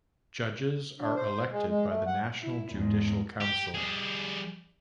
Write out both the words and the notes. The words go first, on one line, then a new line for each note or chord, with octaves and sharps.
Judges are elected by the National Judicial Council.
D4
C5
G#3
G#3
A3
F#5
E4
E2 G#2
G4
G3 G#4